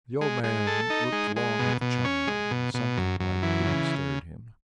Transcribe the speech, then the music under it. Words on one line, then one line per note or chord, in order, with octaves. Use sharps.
The old man looked long at the child, and something like pity stirred him.
G#3
G#3
A4
D#4
G#3
G#3
B2
B2
C#4
G#3
B2
B2
F#2
F#2
E3
C#3